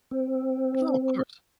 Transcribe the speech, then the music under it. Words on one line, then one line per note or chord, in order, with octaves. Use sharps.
No, of course.
C4